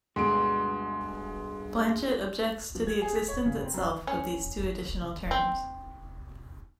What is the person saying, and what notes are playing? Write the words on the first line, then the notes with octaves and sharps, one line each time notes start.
Blanchet objects to the existence itself of these two additional terms.
D2 G2 B2 G#3 F#4 C6 D7
F3
G#6
G#4
B6
C#5
C#3
C4
F#2
C#4
C4